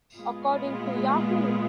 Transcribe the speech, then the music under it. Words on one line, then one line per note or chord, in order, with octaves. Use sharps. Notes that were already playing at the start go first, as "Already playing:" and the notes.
According to Yahoo!
A#2 G#3 B3 F4 G#4